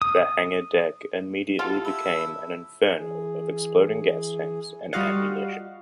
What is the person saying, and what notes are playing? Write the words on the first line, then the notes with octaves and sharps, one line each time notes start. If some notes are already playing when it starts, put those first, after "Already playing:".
The hangar deck immediately became an inferno of exploding gas tanks and ammunition.
D#6
E4 F4 G4 A4 F#5
E4 B5 E6
E3 G#4
G3 F4 F#4 D#5 F5 F#5